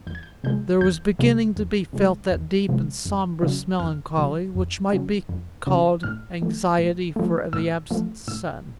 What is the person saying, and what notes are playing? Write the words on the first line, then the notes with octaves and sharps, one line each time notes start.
There was beginning to be felt that deep and sombrous melancholy which might be called anxiety for the absent sun.
E2 G6
G#6
G6
C3 F3 G#3 G6
E2 G6
C3 F3 G#3
E2
C3 F3 G#3
E2
C3 F3 G#3
F2
C#3 F#3
F2 F6
C#3 F#3
F2
C#3 F#3
F2
C#3 F#3
A2 F6
F3 A3
A2
F3 A3
A2 E6
F3 A3
A2 E6